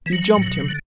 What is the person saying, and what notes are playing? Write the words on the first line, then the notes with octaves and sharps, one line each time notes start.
You jumped him.
E3
F#3
A2
B2
C3
D3